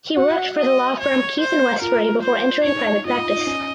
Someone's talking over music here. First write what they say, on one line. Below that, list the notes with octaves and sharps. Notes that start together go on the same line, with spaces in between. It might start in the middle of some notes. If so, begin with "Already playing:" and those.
He worked for the law firm Keith and Westbury before entering private practise.
F#4 F#5
D#5
C#5
C5
F4 A#4
C5
D#4 C#5
D#4
F4 D#5
F4
F4
D#4
C#4